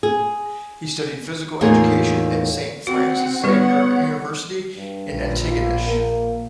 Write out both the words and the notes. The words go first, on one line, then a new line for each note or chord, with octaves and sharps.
He studied physical education at Saint Francis Xavier University in Antigonish.
G#4
E2 A2 A#3 D#4 F4 G#4
C4 F#4 F#5
G3 B3 B4 C#5 F#5
G2
A#1
F4
A#3